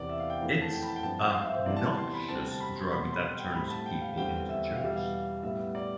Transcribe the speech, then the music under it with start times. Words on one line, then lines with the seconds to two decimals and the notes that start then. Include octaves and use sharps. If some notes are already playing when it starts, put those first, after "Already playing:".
It's a noxious drug that turns people into jerks.
Already playing: E2 C3 E3 D5
0.09 E5
0.20 F5
0.30 G5
0.40 F2 E3 A3 C4
0.62 A5
0.72 G5
0.82 B5
0.87 A5
0.96 G5
1.03 G2 F3 C4 A5
1.19 G5
1.34 F5
1.45 E5
1.56 C5
1.66 C3 E3 B3 D5
1.77 A5
1.97 C6
2.13 B5
2.29 C3 G3 C4 A5
2.44 A5
2.60 B5
2.76 C6
2.92 B2 G3 C4 B5
3.02 C6
3.13 B5
3.39 G5
3.55 A2 G3 C4 B5
3.65 B5
3.71 A5
3.86 G5
4.02 F5
4.17 E2 D3 G3 C4 G5
4.49 E5
4.75 F5
4.80 E2 B2 G3 E5
4.96 F5
5.43 A2 G3 B3 E5
5.75 D5